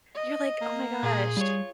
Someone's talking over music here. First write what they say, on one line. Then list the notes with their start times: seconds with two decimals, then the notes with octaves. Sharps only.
You're, like, "Oh my gosh."
0.15 D#5
0.61 A#3
1.03 A#2 G#4
1.37 G3 F4 C#5